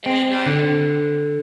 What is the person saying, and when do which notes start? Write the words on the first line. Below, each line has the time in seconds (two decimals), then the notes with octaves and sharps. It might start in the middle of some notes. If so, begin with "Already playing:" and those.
and I
0.06 C4
0.46 D3